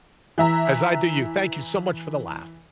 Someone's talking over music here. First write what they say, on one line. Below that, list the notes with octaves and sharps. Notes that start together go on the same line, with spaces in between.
As I do you, thank you so much for the laugh.
E3 E5 A#5